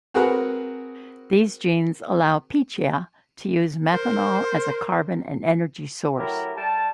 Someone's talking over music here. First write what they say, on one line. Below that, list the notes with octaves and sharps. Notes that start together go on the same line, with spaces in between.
These genes allow "Pichia" to use methanol as a carbon and energy source.
C4 F#4 G#4 A#4 B4 F#5
A#4 C5
F#3 A3 E4 G4 A#4
G3 A5